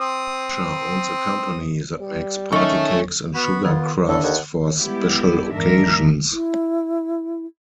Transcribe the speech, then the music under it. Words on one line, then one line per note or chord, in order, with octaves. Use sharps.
Asher owns a company that makes party cakes and sugar crafts for special occasions.
C4 D#6
G3
D#3 C#4 A4 E5 C#6
B3 F#4 B5
D#3 B3 F4 B4
A2 D3 A4
D#2 F#5
G3 G#3 B3 E4 G4
E2 G#2 D#3 D4 A#4 E5
E4